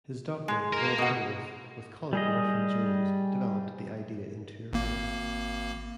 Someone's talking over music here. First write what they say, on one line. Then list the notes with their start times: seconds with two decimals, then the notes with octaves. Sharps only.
His doctor, Rob Haworth, with colleague Merfyn Jones developed the idea into a race.
0.48 G#3
0.73 A#3 A#4
0.98 B2 F#5
2.13 G3 G#4 D#5
4.73 G#1 A#3